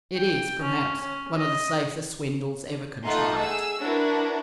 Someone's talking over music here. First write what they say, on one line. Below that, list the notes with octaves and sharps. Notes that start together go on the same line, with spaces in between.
It is, perhaps, one of the safest swindles ever contrived.
G5
C#4
C#4
D#5
A3 D#4 F4 F#5 A5 C6
G#4 E6
D4 E4 F#4 A#4 B4